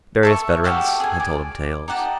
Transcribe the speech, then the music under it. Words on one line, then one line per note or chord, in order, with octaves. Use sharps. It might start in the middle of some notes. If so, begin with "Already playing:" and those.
Various veterans had told him tales.
A4 E5 C#6
F#4 G4 A4 F5
G#4 G#5
D5
D#4 G4 F#5 A5